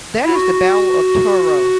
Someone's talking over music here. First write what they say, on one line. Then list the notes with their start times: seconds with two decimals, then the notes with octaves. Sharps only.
That is the battle of Toro.
0.24 E4
0.34 F#4